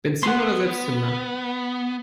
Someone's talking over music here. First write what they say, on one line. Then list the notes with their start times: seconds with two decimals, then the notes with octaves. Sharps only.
Benzin oder Selbstzünder?
0.23 B3 F#5 C6